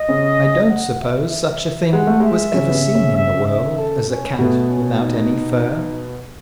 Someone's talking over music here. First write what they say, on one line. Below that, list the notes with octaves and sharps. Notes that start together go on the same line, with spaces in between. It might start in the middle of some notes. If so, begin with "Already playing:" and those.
I don't suppose such a thing was ever seen in the world as a cat without any fur.
Already playing: D#5
C#3 C#4
F#5
E5
E5
G#3 F#5
A3
G#3 E5
C#3 C#4
B3
C#3 C#4
C#3 C#4
E5
E5
A4
C#4
B2 A3 B3
C#4
D#4